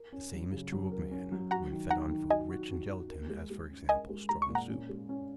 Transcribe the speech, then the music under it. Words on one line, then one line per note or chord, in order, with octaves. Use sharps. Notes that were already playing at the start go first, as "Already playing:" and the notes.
The same is true of man, when fed on food rich in gelatine, as, for example, strong soup.
Already playing: A#4
C#4
F#3
C#3
F#3
A#4
C#4
F#3
F#4 F#5 A#5
D#3
D#3 F#5 A#5
D#3
F#4 D#5 G#5
F#4
F#4
F#4
A#4
G#3
G#3
C#4
A#4 D#5 G#5
G#3
G#3 A#5
C#6
A#2
F#5 A#5
C#4
G#3
C#4